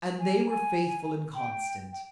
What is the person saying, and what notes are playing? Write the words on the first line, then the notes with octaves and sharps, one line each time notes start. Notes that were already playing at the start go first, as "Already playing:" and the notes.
And they were faithful and constant.
G#5
G#5
G5
G5